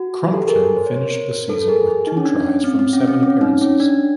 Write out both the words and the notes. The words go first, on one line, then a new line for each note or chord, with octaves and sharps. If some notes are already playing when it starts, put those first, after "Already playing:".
Crumpton finished the season with two tries from seven appearances.
Already playing: F#4
G4 A4
G#4 A#4
C5
C#5
A#4 C5
A4 B4
G#4 A#4
G#4
D#4
C#4
D4
C#4
C4
C4
C#4
C4
C#4
D#4
C#4
D4